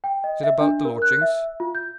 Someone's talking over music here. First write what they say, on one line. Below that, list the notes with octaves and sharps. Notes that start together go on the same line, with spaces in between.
"Is it about the lodgings?"
G5
D#5
E5
D4
A#4
F#6
E5
F4
G6